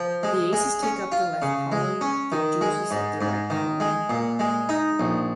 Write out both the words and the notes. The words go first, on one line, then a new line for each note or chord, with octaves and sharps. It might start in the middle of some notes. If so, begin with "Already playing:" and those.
The Aces take up the left column, the deuces at the right column.
Already playing: F3
G#3
G#3
C#4
F4
C#3
G#3
C#4
D#3
G#3
G#2
G#2
D#3
G#3
A#2
G#3
D#4
A#1